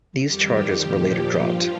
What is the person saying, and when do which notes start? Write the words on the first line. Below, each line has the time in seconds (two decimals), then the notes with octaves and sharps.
These charges were later dropped.
0.23 F2 D#3 G3 G4
0.81 A#2 F3
1.38 G2 F3 F4